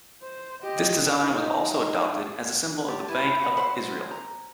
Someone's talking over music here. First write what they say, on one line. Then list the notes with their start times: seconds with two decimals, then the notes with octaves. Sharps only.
This design was also adopted as the symbol of the Bank of Israel.
0.22 C5
0.63 G4 D#5
1.23 D#4
2.88 G4 A5
3.08 E4 B4
3.41 F#4 F#5
3.57 B4 C5 F#5 B5
4.11 A#5